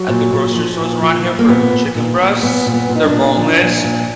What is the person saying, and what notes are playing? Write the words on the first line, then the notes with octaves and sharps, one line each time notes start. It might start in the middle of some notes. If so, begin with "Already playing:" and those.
at the grocery stores around here for chicken breasts. They're boneless.
Already playing: F#3
A#2
A#2
F3
A#2
F3
F3
A#3
A#2 B3
A#2
A#2
A#2
A#2 B3
A#2
B3
A#2
D#4
D4
A#2
F3
A#2
A#2